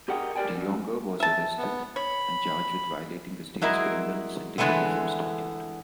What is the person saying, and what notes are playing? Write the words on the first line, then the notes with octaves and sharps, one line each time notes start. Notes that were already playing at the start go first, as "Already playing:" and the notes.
De Jonge was arrested and charged with violating the State's criminal syndicalism statute.
G4 G#4 A#4 D#5 F#5 G5
G4 A#4 C5 D5 G5 G#5
F#2
E5 A5
B3
C#5 B5
F#3 G#3 E4 A#4
D3 E3 F3 G#3 A3 B3